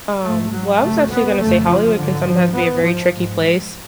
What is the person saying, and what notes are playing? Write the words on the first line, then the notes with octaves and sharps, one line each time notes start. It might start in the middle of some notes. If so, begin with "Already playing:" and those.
Um, well, I was actually gonna say Hollywood can sometimes be a very tricky place,
G#2 A3
F#3
F#2 C#3 A3
B3
F2 C#3 A3
F3
G#2 D3
F3
G#2 B3
F3
G#2